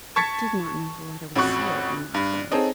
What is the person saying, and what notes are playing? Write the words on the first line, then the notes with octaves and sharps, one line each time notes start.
"I did not know the letter was sealed," remarked Roland.
A5 C#6 G#6 A6 B6 C#7
A1 F2 F#4 C#6 F#6
G2
C4 D#4 G#4 A4 C#5